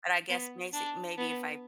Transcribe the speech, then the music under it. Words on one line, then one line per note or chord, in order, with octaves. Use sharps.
but I guess macy maybe if I
B3
D4
B3